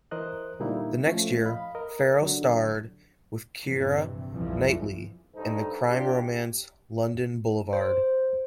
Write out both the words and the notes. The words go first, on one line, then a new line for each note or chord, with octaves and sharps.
The next year, Farrell starred with Keira Knightley in the crime romance "London Boulevard".
E3 A#4 C5 D#5 F#6
A#2 D3 G3 A#3 D#4 E4
F3 A3 C#4
D#5 F5 B5
A#4 D#5
D3 F#3
A#1 G2 C3 E3
B1 F2 C3 E3 F3 G3
G2 D#4 A4 C5
D4 F4 G4
C5